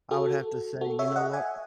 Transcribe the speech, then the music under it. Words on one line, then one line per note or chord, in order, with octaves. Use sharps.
I would have to say, "You know what?
F#4 A4
F#4 A4
C#5 E5
D#5 F#5
E5 G#5